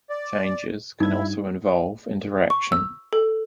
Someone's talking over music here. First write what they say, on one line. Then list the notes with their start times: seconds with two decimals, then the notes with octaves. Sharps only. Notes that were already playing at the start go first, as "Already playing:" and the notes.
Changes can also involve interaction.
0.10 D5
1.00 G2 D#4 E4 G#6
2.50 C#6
2.72 E6
3.13 A4